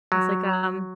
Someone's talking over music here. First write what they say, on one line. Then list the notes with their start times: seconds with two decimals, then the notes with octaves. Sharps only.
I was like, um,
0.12 F#3